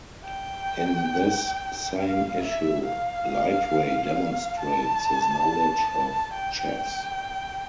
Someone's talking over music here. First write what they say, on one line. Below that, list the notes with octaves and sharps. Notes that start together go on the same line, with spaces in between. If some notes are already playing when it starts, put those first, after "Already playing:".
In this same issue, Lightray demonstrates his knowledge of chess.
G5
F5
E5
F5
A5
G5